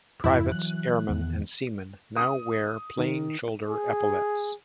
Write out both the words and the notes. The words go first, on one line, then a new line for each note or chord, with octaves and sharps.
Privates, airmen and seamen now wear plain shoulder epaulettes.
F2 G#2 C#3 E4
E3 F#3 F#6
E2 D#3 B3
D#6
D#3
G#4